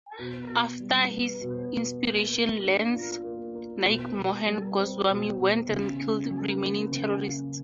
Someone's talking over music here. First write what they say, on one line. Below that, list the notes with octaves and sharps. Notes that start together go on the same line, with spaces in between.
After his inspiration Lance Naik Mohan Goswami went and killed remaining terrorists.
B2
B2
G3
B3
B2
B2
A#3
A#4
D4
F4
A#3
A#4
B2
B2
G3
C4
B2
B2
C#3
C#4
F#3
A#3
C#3
C#4